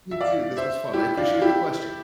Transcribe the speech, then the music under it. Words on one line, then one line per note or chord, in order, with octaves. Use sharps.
You too, this was fun. I appreciate the question.
E5
D5 F5
C5 E5
E4 G4
D4 F4
F4
E4 G4